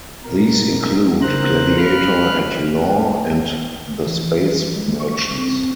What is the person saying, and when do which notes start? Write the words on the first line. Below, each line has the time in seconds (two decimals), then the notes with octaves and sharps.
These include "Gladiator-At-Law" and "The Space Merchants".
0.25 B2 A#4
1.22 C#3 A#4 C5 A#5 F#6
1.77 F5 B5 F6 F#6
4.06 E3
4.76 G#3
5.00 C#6
5.38 C4